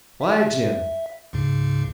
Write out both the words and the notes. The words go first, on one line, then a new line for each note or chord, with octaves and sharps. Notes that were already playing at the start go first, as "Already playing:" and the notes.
"Why, Jim?"
E5
C#2 G#2 C#3